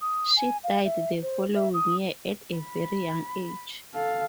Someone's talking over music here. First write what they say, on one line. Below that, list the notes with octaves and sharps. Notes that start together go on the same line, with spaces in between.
She died the following year at a very young age.
D#6
G#5
F5
E5
C5
E5
D#6
B5
A4 F5